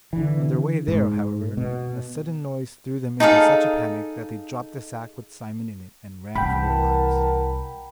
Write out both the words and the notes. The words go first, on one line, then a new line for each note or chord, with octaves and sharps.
On their way there, however, a sudden noise threw them into such a panic that they dropped the sack with Simon in it and ran for their lives.
D3 E3
G#2
B2
D#4 G#4 A4 F5
C2 E3 F#5 G5 A5 B5
A#4